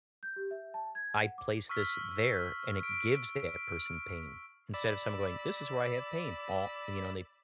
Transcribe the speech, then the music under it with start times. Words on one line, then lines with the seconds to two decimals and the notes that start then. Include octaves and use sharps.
I place this there, and it gives that person pain. Instead of someone going, this is where I have pain, and, you know, and they
0.23 G6
0.36 G4
0.51 E5
0.74 A5
0.95 G#6
1.23 F#5
1.38 D6
1.69 C#6 E6 F6 B6
2.83 D7
4.74 D5 B5 E6